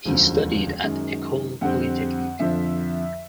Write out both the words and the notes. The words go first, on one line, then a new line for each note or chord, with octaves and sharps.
He studied at Ecole Polytechnique.
E1 D2 C#3 F3
F#2 D#3 G#3
F2 D3 G3 C4 F#5
F2 D3 F3 E5